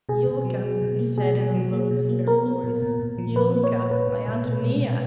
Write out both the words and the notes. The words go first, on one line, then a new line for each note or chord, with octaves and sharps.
"Yulka," he said in a low, despairing voice, "Yulka; my Antonia!"
B2 G#4
B2
F#3
F#3
B2
A#3
B2 G#4
F#3
F#3
A#3
B2
A#3
B3 A#4
B3
A#2
A#2
A#2
F3
A#2 B4
A#3
C#5
A#2
A#2 B4
A#2
A#2
B2
G#3
B2